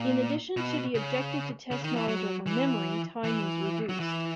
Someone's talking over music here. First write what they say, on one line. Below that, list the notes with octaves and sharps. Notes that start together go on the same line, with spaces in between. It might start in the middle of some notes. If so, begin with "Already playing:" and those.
In addition to the objective to test knowledge over memory, time was reduced.
Already playing: A#2
B2
C#3
C#3
D#3
E3
F#3
E3
E3
F#3
E3